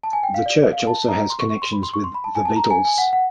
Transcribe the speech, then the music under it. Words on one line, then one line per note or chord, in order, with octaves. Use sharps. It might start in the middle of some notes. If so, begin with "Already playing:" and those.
The church also has connections with The Beatles.
A5
G#5
G5
F5
D5
F5
A5
A#5
C6
C#6
C#6
C6
B5
C6
C#6
C6
B5
A5
G#5
A5
A#5
G#5
G#5
F#5
F#5